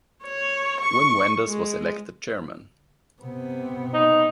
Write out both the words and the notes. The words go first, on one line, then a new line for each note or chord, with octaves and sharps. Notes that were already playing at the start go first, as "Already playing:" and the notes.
Wim Wenders was elected Chairman.
C#5
C#6
G#3
C3 B3
D#4